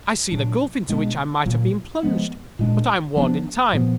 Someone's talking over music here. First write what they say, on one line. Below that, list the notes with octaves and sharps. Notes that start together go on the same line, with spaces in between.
I see the gulf into which I might have been plunged; but I am warned in time.
A#2 F#3 D4
B2 G#3 B3 D4
A#2 F#3 A#3
F3 G#3 B3
A#2 G#3 D4
F3 B3 D4
A#2 F3 B3